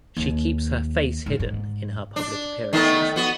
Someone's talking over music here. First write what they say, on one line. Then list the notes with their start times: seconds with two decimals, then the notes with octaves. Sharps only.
She keeps her face hidden in her public appearances.
0.17 D#2
1.26 G#2
1.40 G#2
2.16 D4
2.73 D#3 A3 B3
3.16 B3 F#4